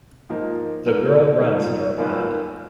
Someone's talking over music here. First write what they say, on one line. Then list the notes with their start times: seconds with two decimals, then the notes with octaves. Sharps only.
The girl runs near a pond.
0.29 G#2 F3 A#3 D#4 A#4
0.86 G#2 F3 A#3 D#4 A#4
1.41 G#2 F3 A#3 D#4 A#4
1.98 F#2 D#3 A#3 F4 B4